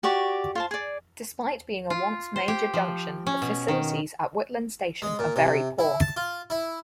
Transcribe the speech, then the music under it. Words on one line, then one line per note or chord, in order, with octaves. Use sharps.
Despite being a once-major junction, the facilities at Whitland station are very poor.
F#4 G4 D5 C#6
F4 C5 A5
G#4 D5
F4
C5
G4
F3
C#4
B2
D#3
G#3
A#2
C3
E4
A5
F4
E4